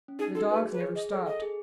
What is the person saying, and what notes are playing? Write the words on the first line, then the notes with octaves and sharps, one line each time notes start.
The dogs never stopped.
C#4
D#4 G#4
F#4 A4
G#4 B4
B4
G#4 C#5
G#4 D#5
A4 C#5
D#5
G#4